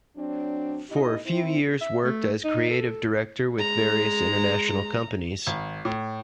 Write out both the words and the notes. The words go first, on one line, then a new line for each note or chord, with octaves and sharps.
For a few years worked as creative director with various international companies.
F#3 C4 D4
B2 D#4 E4 G4 D#5
C4 E4
E5
A3
D#4
A4
G#3 A#5
G#1
A2